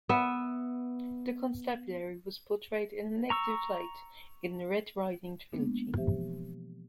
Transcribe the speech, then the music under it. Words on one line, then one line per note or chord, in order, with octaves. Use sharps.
The Constabulary was portrayed in a negative light in the Red Riding trilogy.
B3 E5
A#5 C#6 E6
G#3 A#3 B3 D4
B2 E3 F3 G4 C5 E5